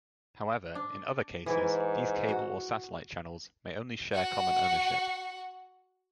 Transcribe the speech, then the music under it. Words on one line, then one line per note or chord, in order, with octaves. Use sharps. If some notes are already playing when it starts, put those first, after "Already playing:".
However, in other cases, these cable or satellite channels may only share common ownership.
D4
G#2 E3 E4
F#4
F#4 F#5